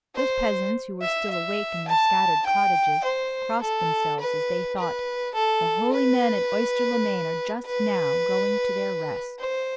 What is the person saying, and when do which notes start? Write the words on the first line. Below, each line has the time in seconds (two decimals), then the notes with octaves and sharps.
Those peasants who were still awake in their scattered cottages, crossed themselves as they thought, "The holy men at Oyster-le-Main are just now going to their rest."
0.15 C5
1.02 E5
1.30 E5
1.88 A5
2.46 G5
3.04 C5
3.61 A4
4.20 B4
4.77 B4
5.34 A4
5.92 B4
7.66 B4
9.39 C5